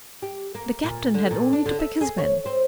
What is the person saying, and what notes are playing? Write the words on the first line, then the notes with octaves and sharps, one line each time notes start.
The captain had only to pick his men.
G4
A#3
A#2
D3
A#2
D4
D3
E5
G#4
C#5
C4